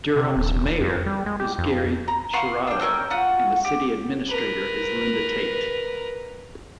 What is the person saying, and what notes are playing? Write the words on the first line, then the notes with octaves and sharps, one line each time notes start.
Durham's mayor is Gery Schirado and the city administrator is Linda Tate.
C3
D#1
E1
F2
G3
G#3
G4
F2
A#5
F5 F#5 C6 C#6
D4 G5
C#4 A#4 G5 E6
F4 F#4 F#5
G4
A#4 B4